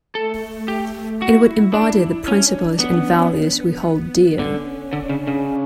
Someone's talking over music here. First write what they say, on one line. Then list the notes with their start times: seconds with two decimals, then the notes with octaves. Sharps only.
It would embody the principles and values we hold dear.
0.15 A3 A4
0.68 A3 G4
1.21 E4 F#4
1.74 D4
2.27 C#4 D4
2.80 B3 C#4
3.33 B3
4.39 D3 C#4
4.92 D3 D4
5.09 C#3
5.27 C#3